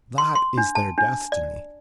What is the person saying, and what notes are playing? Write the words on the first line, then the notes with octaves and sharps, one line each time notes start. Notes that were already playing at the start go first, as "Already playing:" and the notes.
That is their destiny.
C6
C6
D4
A5
D4
D5